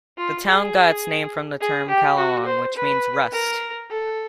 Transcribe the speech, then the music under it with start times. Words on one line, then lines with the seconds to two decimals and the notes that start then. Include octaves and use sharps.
The town got its name from the term "kalawang", which means rust.
0.18 F4
0.46 G#4
1.61 G#4
1.89 G4
2.17 F#4
2.46 C5
2.76 B4
3.32 A#4
3.90 A4